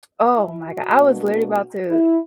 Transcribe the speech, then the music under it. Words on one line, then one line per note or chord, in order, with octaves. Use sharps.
Oh my god, I was literally about to
E4
F#4
B2 A#3 D4
E4